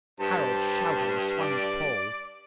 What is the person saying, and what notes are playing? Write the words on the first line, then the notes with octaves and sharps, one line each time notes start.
Harald shouted and swung his pole.
G2 G3 C5 A5
D5